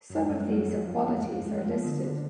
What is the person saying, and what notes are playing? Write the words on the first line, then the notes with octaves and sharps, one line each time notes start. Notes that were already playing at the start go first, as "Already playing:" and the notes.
Some of these equalities are listed.
F#2
G#3
F#2 G3
G#3
F#3 G3
F2
F3
F2 G#3
A3
F2
G#3
F2 G#3
A3
F3
B3
D3 F4
D3